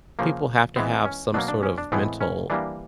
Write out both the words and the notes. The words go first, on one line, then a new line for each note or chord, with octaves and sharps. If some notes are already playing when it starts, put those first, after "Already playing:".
people have to have some sort of mental
C#3 F3 A#3
E3 G#3 B3 C4
C#4
B2 F#3 A#3 D4
D4
C#4
D4
A2 E3 G#3 B3 C4
C#4
E3 G3 A#3 D4